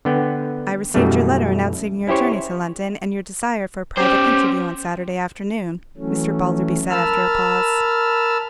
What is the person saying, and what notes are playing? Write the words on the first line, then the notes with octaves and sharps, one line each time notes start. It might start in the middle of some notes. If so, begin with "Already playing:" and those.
"I received your letter announcing your journey to London, and your desire for a private interview, on Saturday afternoon," Mr. Balderby said, after a pause.
D3 B3 G5
F#2 B2 E3 G3 A3
C#4 E4 G4 C5 C#5
C#4 G4 C5
E3 F#3 A3 C#4
A#4 A5 B5 E6 F6